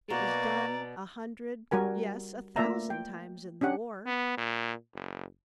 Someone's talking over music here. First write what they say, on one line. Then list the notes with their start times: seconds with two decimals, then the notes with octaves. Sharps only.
It was done a hundred, yes, a thousand times in the war.
0.10 B2 A#3 F#4 D5 A#5
1.71 G3 F#4 A#4 G#5
2.56 A3 A#3 F4 D5 E5 A#5
2.90 G5
3.61 C#4 D4 G4 F#5
4.06 B3
4.37 A#2
4.94 F#1